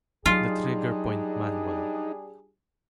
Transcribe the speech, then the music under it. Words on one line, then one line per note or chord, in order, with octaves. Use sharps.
The Trigger Point Manual.
F#3 G3 D4 D#4 F4 G#4